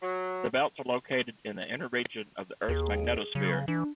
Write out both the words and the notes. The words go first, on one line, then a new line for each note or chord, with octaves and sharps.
The belts are located in the inner region of the Earth's magnetosphere.
F#3
D#2 G#4
C#3 F#3
E3 D4